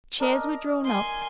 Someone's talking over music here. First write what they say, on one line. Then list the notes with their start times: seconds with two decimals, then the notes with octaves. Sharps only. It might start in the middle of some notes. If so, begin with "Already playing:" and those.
Chairs were drawn up.
0.20 D4 A#4 D#5
0.85 G#5 C6